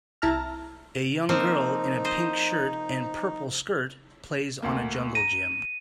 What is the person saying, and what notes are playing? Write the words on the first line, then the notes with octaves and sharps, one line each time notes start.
A young girl in a pink shirt and purple skirt plays on a jungle gym.
C2 E4 E5 A5 A#5 F6
F3 A#3 C4 D#4
C5 D#5
D2 A#3
A#5 A#6 D#7